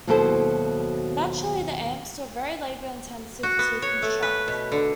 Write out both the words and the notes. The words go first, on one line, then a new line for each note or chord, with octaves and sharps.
Naturally, the amps were very labor intensive to construct.
D#2 B2 F#3 E4 A4 C5
F#4
B3
C#5
A3
B4
B2
D3